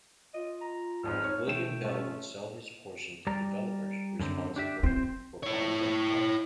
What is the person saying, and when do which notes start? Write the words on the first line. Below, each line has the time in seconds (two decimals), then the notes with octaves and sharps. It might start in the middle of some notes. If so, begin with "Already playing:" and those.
William Bell would sell his portion to developers responsible for Bond Lake Park.
0.34 F4 D#5
0.61 A#5
1.03 G#1 F2 G#2 F6
1.24 D#4 C#5
1.47 B2 A3 G5 E7
1.84 A3 C#4 F4
3.27 G3 D5 A#5
4.20 F#2 D3 C4
4.56 D4 G4 E5
4.83 C4 E4 C5
5.43 E4 C#5